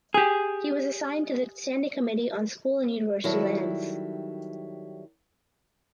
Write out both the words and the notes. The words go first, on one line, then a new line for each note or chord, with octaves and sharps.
He was assigned to the standing committee on school and university lands.
G4 G#4
D#3 F#3 G3 E4 A4